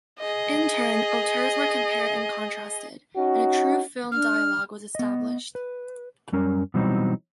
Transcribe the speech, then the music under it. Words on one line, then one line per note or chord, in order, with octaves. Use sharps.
In turn, auteurs were compared and contrasted, and a true film dialogue was established.
G#4 D#5
C#4 D#4 F#4
D4 F6
B3 D#5
B4
F#2 G3 C#4 A#4
B2 E3 F#3 G3 C4 D#4